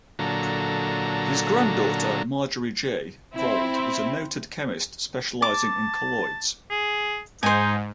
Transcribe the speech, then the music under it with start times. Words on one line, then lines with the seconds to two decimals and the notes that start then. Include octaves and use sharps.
His granddaughter Marjorie J. Vold was a noted chemist specializing in colloids.
0.19 A#2 D3 F#3 A4 A#5
3.34 C4 E4
5.42 A5 D6
6.70 G#4
7.43 G#2 D#4 C5 G#5